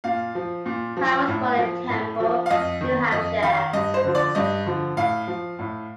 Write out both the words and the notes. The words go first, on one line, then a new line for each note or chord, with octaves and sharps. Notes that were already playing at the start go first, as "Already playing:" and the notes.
Pratt was born in Temple, New Hampshire.
A#2 F5
F3
A#2
F3
A2
F3
A2
F3
F5
F2 D#5
D#3
F2 D#5
D#3 F5
G2 D#5
C5
D3 F3
D5
G2 D#5
D3 F3
A2 F5
F3
A2